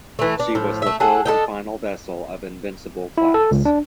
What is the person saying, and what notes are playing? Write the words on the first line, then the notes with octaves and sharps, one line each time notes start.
She was the third and final vessel of "Invincible"-class.
E3 A3
D4
A2 F3
A3 E5
G#4 A4 F#5
D4 A4 D#5 G5
E4
A4
C#2
D4